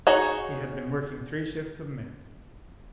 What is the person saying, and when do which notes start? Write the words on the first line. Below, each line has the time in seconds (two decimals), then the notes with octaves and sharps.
He had been working three shifts of men.
0.07 D#4 F#4 G#4 C#5